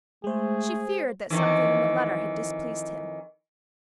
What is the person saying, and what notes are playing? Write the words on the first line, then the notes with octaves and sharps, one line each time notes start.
She feared that something in the letter had displeased him.
G#3 A3 G#4 C5
F2 D#3 E3